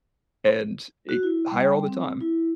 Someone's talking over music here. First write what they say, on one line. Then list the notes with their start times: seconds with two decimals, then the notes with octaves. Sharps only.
and it higher all the time.
1.09 F#4
1.23 E4
1.51 G3
1.88 C4
2.21 E4